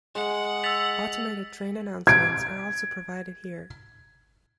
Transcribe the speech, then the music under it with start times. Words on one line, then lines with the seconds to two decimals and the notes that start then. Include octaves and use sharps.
Automated train announcements are also provided here.
0.15 G#3 F#5
0.64 E6 A6 B6 F7 F#7
2.07 G#6 D7